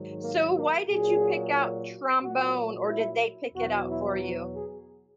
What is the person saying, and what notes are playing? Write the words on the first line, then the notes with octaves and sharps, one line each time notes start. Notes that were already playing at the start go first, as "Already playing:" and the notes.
So why did you pick out trombone or did they pick it out for you?
Already playing: G#2 D#3 F#3
A#3
A#3
A#2 F#3 G#4
A#2 F#3 F#4
E4
E2 B2 F#3 F#4
E4
F#4
G#4